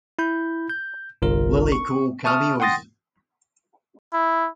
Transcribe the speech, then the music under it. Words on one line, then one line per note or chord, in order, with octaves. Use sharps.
Lily Cole cameos.
E4 B5 G6
G6
G1 C2 F4 A#4
C#6
E5 A5 C#6 D#6 F6
F#5 G5 C6 D#6 A6 A#6
E4